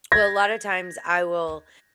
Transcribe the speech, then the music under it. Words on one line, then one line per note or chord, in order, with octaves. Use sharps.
Well, a lot of times, I will,
G#6 A#6